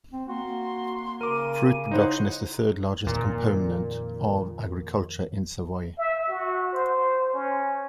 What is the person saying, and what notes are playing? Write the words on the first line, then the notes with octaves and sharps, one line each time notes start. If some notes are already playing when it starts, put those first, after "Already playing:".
Fruit production is the third largest component of agriculture in Savoie.
C4
A#3 F#4 C6
C#3 A#4 D6 D#7
D#4 E4 C5 C#5 F#5
F2 A#2 D#3
E5
F#4
C5
C#4